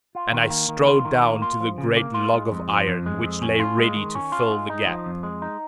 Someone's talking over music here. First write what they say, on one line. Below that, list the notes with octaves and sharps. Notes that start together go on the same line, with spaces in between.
And I strode down to the great log of iron which lay ready to fill the gap.
F4
D#3
A#3
D#3
F4
D#3
A#3
F4
F3
C#3
A#3
F4
G#3
F2
F3
F2
G#3
F2
C#4
F4
G#3
D#3
C#4
F4
G#3
D#4
F3
F2
G#3
D#4